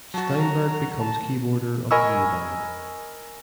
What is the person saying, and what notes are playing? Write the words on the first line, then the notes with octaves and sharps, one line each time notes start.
Steinberg becomes keyboarder of the new band.
F#3 F#4 A5
A#5
A5
A#4 D#5 G#5 B5 C#6 E6